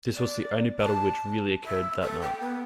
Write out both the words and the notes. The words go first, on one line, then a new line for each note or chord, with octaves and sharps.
This was the only battle which really occurred that night.
D5
A5
E5
A4
G5
B3